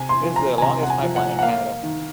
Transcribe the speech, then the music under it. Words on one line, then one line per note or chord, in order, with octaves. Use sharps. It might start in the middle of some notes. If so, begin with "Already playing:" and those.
It is the longest pipeline in Canada.
Already playing: C3 G#5
C6
F3
A#5
G#5
C3 A#5
F#5
G#5
F3
F#5
F#5
A#3 F5
D#3